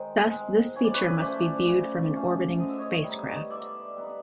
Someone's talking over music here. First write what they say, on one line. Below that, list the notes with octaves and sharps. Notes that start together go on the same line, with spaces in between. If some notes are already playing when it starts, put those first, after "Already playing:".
Thus this feature must be viewed from an orbiting spacecraft.
Already playing: D#3 G#3 C4 C5
G#3 C4
C#3 C#5
D5
B4 C#5
F3 A3 C#4 C5 D5
C#3
F3 A3 C#4
D3 D#5
E5
C#5 D#5
G3 B3 D#4
D3 D5 E5
G3 B3 D#4